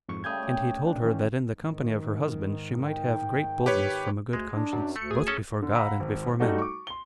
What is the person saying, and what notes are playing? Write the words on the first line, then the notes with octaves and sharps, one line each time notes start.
And he told her, that in the company of her husband she might have great boldness from a good conscience, both before God and before men.
F2 G#2 C#6
C#3 G3 A3 D#6 G6 G#6
G4
D4
D#3 E3 C#4
G#2 D#3
G5
G4 B4 C#5
D2 G#3
D4
F#2
D2 A3 C#7
G#4
C#4 A4
D3
F5 F#5 A#5 B5 E6
G#1
G3 A3 D#4 F#4 A4
C#6 D6
C6 G7